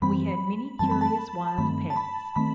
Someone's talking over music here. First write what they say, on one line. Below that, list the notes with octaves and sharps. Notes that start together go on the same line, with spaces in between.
We had many curious wild pets.
F#2 E3 G3 C4 B5
F#2 E3 G3 C4 A5
B5
A5
G2 D#3 A3 C4 B5
A5
B5
D#3 A3 C4 B5